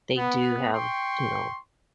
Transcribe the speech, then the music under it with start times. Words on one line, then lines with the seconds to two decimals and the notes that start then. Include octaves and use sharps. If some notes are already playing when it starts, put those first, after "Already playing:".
they do have, you know,
0.17 B3
0.74 G5 C6 C#6